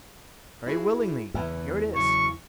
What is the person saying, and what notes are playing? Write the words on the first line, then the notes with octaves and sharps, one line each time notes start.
"Very willingly; here it is."
E4 F#4 G#4
E2 C#3 E3 B3
C#3 F#3 C#6